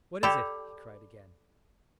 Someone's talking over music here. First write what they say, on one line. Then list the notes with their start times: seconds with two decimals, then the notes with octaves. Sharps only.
"What is it?" he cried again.
0.23 G4 A4 D5 B5